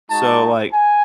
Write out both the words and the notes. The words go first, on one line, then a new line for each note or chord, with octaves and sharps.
So, like,
G#3 D#4 F#4 A5
G#5